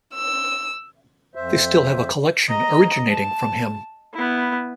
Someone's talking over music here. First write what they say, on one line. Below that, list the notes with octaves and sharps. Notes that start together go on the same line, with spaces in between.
They still have a collection originating from him.
E6
F2 C5 E5
D#5 A#5
A5
B3 E4